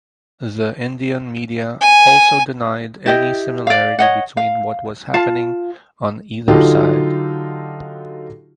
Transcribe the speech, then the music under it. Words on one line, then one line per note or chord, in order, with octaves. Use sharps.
The Indian media also denied any similarity between what was happening on either side.
G#5
E4 G4 D#5
D5 F5
C#5 D#5 F#5
F5
F4 F5 A5
D3 F#3 D#4 F4 G4 A4